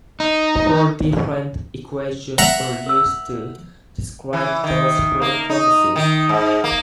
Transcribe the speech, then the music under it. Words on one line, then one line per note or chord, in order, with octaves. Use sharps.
Four different equations are used to describe those four processes.
D#4
E5 F#5 A#5
A#4 E6
E3
D#3
A#3
D#4
D#3
G#2
A#3